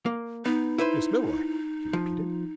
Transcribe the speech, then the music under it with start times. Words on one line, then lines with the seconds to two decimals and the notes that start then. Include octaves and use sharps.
"Miss Milroy!" he repeated.
0.06 A#3
0.46 B3 D#4
0.78 E4 B4 C5
1.93 F3